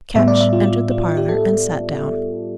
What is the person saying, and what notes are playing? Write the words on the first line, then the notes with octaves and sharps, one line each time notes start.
Ketch entered the parlour, and sat down.
A2 G3 B3 E5
D5
E5
F4
F4
F4
G4
A4